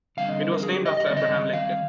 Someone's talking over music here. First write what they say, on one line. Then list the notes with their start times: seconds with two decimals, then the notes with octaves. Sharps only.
It was named after Abraham Lincoln.
0.17 D3 G3 C4 F5
0.29 D#5
0.41 C5
0.52 A#4
0.63 G#4
0.74 G4
0.86 D#5
0.97 D#5
1.07 D#3 G3 C4 D5
1.17 D#5
1.53 F5